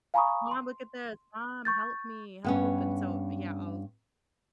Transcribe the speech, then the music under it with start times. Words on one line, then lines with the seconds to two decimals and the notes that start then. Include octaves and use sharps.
"Mom, look at this." "Mom, help me, help," and so, uh, yeah, I'll
0.14 F5 G#5 A#5 B5 C#6 D#6
0.51 C6
1.65 C#6 G6 A6
2.44 G2 B3 C#4